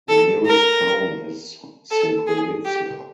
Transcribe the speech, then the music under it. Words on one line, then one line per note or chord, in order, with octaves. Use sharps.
The nearest town is Srebrenica.
A4
A#4
A4
G#4
G4